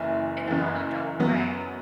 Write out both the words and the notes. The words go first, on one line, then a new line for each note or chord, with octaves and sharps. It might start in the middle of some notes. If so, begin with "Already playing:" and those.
in a non-adult way,
Already playing: F#1 F#2 E3 E4
F#1 F#2 E3
F#2 F#3 B3